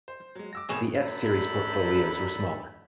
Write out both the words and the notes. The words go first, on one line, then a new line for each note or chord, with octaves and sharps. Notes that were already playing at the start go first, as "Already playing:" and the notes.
The S-Series portfolios were smaller.
C5
F#3 G#3
D6 E6 A#6
B2 A3 C4 G#4 C#5 E7
F#2 D4 A4 B5